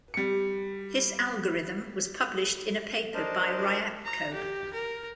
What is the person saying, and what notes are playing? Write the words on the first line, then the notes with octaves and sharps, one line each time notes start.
This algorithm was published in a paper by Ryabko.
G3 C#7
D4 A#4 C5 D#5 A5
A#5
G4
A#4